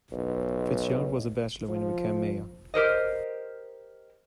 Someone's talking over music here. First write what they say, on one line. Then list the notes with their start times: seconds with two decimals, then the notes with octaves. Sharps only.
FitzGerald was a bachelor when he became mayor.
0.12 B1
1.68 F3
2.74 G4 A#4 C5 D#5